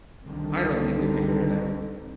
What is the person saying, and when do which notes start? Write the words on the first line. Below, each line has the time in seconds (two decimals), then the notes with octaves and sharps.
I don't think we figured it out.
0.21 C2 D3 D#3 G3 C4